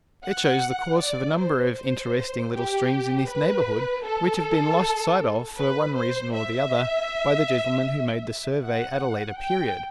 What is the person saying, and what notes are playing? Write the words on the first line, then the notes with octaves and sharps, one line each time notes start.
It shows the course of a number of interesting little streams in this neighbourhood which have been lost sight of for one reason or the other by the gentleman who made the survey at a later period.
F#5
D5
C5
C5
G4
B4
A4
B4
C5
E5
F#5
G5